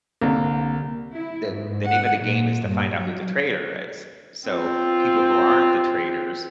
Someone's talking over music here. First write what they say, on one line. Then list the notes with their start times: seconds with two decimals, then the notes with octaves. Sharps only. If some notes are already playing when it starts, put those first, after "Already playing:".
the the name of the game is to find out who the traitor is, so people who aren't the traitors
0.21 C2 D3 A#3
1.13 E4
1.51 G#2
1.85 F#5
2.21 A#2
2.66 G2
2.98 F#3
4.48 C4 F4